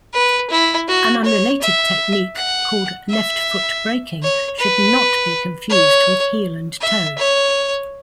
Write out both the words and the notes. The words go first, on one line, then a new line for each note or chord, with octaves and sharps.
An unrelated technique called left-foot braking should not be confused with heel-and-toe.
B4
E4
F#4
C#5
E5
F#5
E5
C#5
B4
C#5
E5
C#5